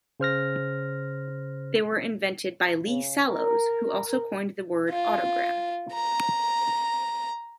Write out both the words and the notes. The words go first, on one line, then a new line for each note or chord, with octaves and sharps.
They were invented by Lee Sallows, who also coined the word "autogram".
C#3 C5 F6 A#6
C#3
A#4
F4
A#5